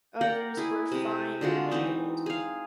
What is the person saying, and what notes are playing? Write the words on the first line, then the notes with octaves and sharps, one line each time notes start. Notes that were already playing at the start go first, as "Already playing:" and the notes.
Others were fined or jailed.
A#4 D5 F#5 G5
E4 G#4
C3 G#3
D3 G#3 F4 F#4
E3 C4 D#4
G#4 F5